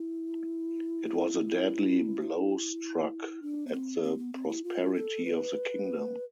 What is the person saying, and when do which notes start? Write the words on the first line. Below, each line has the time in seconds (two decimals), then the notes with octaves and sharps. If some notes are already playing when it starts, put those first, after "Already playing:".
It was a deadly blow struck at the prosperity of the kingdom.
Already playing: E4
2.21 E4
3.42 D4
3.67 B3
3.73 C4
4.03 C4
4.18 B3
4.33 C4
4.49 E4
4.64 F4
4.95 A4
5.25 B4